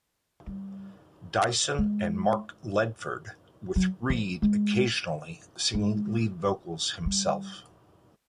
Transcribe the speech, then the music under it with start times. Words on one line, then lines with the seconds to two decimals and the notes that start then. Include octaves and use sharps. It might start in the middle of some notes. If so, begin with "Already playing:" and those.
Dyson and Mark Ledford, with Reid occasionally singing lead vocals himself.
0.47 G3
1.78 G#3
3.76 F#3
4.10 F3
4.42 G#3
5.74 G#3
7.06 G3